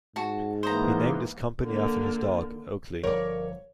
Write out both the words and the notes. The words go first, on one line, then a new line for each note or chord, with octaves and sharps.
He named his company after his dog, Oakley.
G#2 F#4 A5
E3 A#3 B3 C5 D#5 A#5
D3 A#3
G1 F3 A#4 C#5 D5